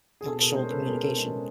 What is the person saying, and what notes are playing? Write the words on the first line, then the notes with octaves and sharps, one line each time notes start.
actual communication.
G#4
B2 A4
G#4 A#4
G#3 C#4 A#4 C5
A4 B4
B2 G#4 A#4
A4
G#3 C#4